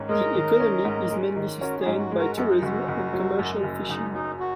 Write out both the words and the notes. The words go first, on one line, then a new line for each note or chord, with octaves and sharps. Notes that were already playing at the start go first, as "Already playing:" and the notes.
The economy is mainly sustained by tourism and commercial fishing.
Already playing: G#2 D#3 C#4
G#3 A#4 D#5
D#3
C#4
G#2
G#3
D#3
C#4 F#4 A#4
G#4
G#2
F#4
G#3
F#4 A#4
F#2 F#4
D#4
F#1 F#4
F#1
F#3
F#2
F#1
F#1 D#4
F#3 D#4
F#4